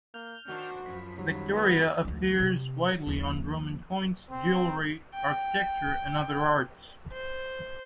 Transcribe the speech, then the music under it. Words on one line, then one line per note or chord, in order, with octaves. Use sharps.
Victoria appears widely on Roman coins, jewelry, architecture, and other arts.
A#3 F6 G6
D#3 D4 F#4 C5
F#2 F3 B5
D#3 F#3 G3 B5
B3
D2 F3
C3
D#2 F3
C4
G5
C5